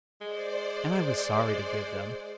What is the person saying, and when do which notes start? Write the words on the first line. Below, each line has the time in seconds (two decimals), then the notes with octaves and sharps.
And I was sorry to give them.
0.21 G#3 C5 D5